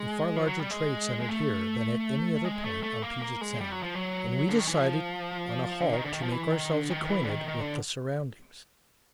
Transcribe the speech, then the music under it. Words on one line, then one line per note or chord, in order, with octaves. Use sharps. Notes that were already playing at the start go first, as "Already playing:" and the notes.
A far larger trade centered here than at any other point on Puget Sound, and we decided on a halt to make ourselves acquainted with the surroundings.
Already playing: G#3
F3
F#3
G3
G#3
G#3
A3
G#3
A3
A3
A#3
A#3
G#3
G3
F#3
F3
F#3
D3
D#3
E3
F3
D3
D#3
D3
D#3
F3
E3
D#3
D3
D#3
D#3
E3
D3
D#3
D#3
D3